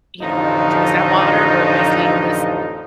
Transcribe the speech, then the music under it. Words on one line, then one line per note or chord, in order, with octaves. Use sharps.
you know, drinks that water or, basically, in this
A1 F2 D3 F3 D#4